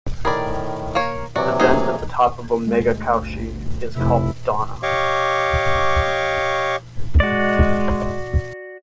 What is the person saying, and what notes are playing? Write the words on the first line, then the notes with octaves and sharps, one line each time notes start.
The vent at the top of Omega Cauchy is called Donna.
A2 D#3 G#4 A#4 D5 B5
A#3 A#4 C#5 F5
C3 E3 F#3 F#4 D5 D6
A3 A#3 D#4 F4 G#4
D2 G#3
G1
F1 C3 E4
G4 C#5 D#5 F5 C#6 D6
G#3 F#4 D5